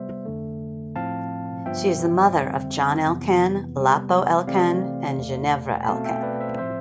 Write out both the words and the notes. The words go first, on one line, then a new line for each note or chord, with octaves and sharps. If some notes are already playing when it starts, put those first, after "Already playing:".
She is the mother of John Elkann, Lapo Elkann and Ginevra Elkann.
Already playing: C3 G3 B3 C5 E5
F2 D3 A3
A2 F3 C4 F5 A5
G2 F3 B3 E5 G5
F2 D3 G3 C4
F2 C3 E3 B3
C3 G3 B3
C3 E3 A3 C4 D5 F5
E2 B2 A3
B5
B2 A3 C4 F5 A5
E5 G5
B4 D5
C5 E5
A2 F3 C4 C5 E5